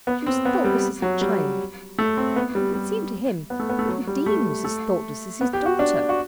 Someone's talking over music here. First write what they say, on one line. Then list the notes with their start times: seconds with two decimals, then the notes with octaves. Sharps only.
She was thoughtless as a child;--but it seemed to him that the Dean was as thoughtless as his daughter.
0.07 B3
0.27 C4
0.45 B3
0.64 G3
1.02 F#3
1.21 G3
1.99 A3
2.17 C4
2.36 B3
2.55 G3
2.74 G3
3.50 B3
3.60 A3
3.69 B3
3.79 A3
3.89 F#3
4.07 G3
4.26 A3
4.65 A3
5.41 B3
5.53 G4
5.66 F#4
5.79 D4
6.09 F#4